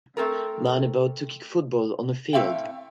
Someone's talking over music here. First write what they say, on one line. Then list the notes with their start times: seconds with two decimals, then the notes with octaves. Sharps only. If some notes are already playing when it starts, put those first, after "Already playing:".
Man about to kick football on a field.
0.17 A3 C4 A4 A#4
2.33 A2 C4 F#4 E5 F5 G5